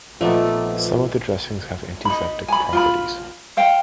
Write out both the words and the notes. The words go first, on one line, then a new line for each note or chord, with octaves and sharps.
Some of the dressings have antiseptic properties.
A#2 F3 A3 B3 D#4 D5
D#4 B5
G#5 B5
F4 G5 B5
C5 F5 G5